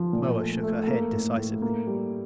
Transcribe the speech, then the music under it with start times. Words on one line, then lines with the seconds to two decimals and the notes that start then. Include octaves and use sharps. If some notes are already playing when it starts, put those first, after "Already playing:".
Moa shook her head decisively.
Already playing: F3
0.13 A#2
0.38 A3
0.63 A3
0.87 A#3
1.12 A2
1.36 A2
1.62 A#3
1.87 G3